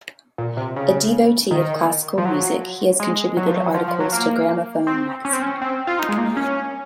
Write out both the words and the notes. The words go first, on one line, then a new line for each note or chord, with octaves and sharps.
A devotee of classical music, he has contributed articles to "Gramophone" magazine.
A#2
C3
C#3
D#3
F3
F#3
G#3
F#3
F3
F#3
F3
F3
F#3
A#3
C4
C#4
C4
C#4
C4
F4
D#4
G#3
A#3
C#4